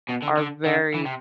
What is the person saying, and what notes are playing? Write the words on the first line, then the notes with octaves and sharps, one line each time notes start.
are very,
B2
D3
D3
D3
E3
C3